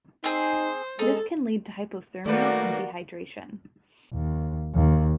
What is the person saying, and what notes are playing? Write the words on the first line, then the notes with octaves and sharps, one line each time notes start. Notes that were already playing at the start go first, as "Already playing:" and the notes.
This can lead to hypothermia and dehydration.
C4 D#4 G#4 C5
G#3 D#4 A4
D#2 G3 A3 A#3 F#4 B4 D5
D#2
D#2